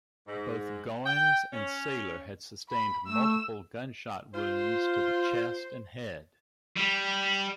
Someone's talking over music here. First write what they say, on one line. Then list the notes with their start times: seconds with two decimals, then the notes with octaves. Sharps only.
Both Goines and Sailor had sustained multiple gunshot wounds to the chest and head.
0.28 G#2
1.06 G5
1.53 C#4
2.69 B5
3.07 A3 E6
4.35 F4 C5
6.76 G3